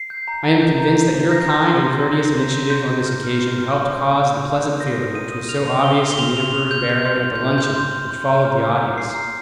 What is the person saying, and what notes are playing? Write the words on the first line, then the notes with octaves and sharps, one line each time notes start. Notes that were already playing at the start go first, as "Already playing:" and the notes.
I am convinced that your kind and courteous initiative on this occasion helped cause the pleasant feeling which was so obvious in the Emperor's bearing at the luncheon which followed the audience.
Already playing: C7
G6
A#5
A#5
G6
A#5
A#5
A#5
G6 A#6
C6
C6
C6
C6
G6
C6
G6
C6 G6
C6
F6
F6
C6
F6
C6
C6
D#6
D#6
D#6
G6
G6 A#6
D#6
D#6 D#7
D#6
F6 F7
C6
C6 G7
F6
G7
C6 F7
F6 F7
F6 F7
F6 G6
G6
C6
G6
G6
C6
C6 G6
C6
C6
C6
A#5
F6
F6
F6
F6 C7
A#5